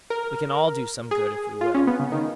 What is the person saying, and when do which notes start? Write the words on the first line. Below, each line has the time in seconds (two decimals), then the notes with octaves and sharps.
We can all do some good, if we will.'
0.10 A#4
1.11 G#4
1.61 F4
1.74 C#4
1.87 B3
1.99 C#3
2.12 D#3